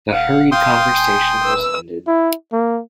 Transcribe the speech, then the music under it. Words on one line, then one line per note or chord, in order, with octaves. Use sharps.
The hurried conversation was ended.
D#1 F5 F#5
F5 G5 C6 D#6
G#5
B4 E6
E4
A#3